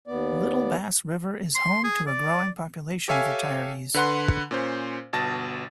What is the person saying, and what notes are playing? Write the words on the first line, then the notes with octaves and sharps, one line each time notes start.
Little Bass River is home to a growing population of retirees.
D#2 B3 D5
C6
G#4
D5
G4 A4 C#5 E5 F5 G#5
D3 B4 F#5 C6
A#2 C#4 C5
G1 B2 A5 A6 A#6